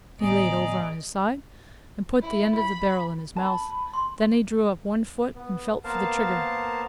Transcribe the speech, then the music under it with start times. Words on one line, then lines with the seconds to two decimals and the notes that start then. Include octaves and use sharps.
He layed over on his side and put the end of the barrel in his mouth, then he drew up one foot and felt for the trigger.
0.21 G1 A2 B3 G#4 D5 D#5 A#5
2.22 E4
2.56 B5
3.37 A5 B5
3.94 C6
5.35 B3
5.84 A#3 B3 A#4 C5 F5 A5